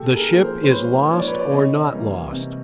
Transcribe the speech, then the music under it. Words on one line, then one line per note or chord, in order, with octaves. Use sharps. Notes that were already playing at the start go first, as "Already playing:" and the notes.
The ship is lost or not lost.
Already playing: A#2 G4 A4
G#4 A#4
F3 A#3
A#4 C5
C5
A#2 B4 C#5
F3 A#3 C#5
D5
B4 C#5
D5
C3 C#5 D#5
E3 G3 A#3
C3